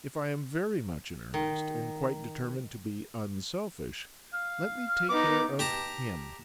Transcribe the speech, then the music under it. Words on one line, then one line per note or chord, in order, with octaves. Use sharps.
If I am very much in earnest and quite determined to be unselfish, let me take care of HIM.'
D#3
F5
B3 D#4 D6
G4 A5 A#5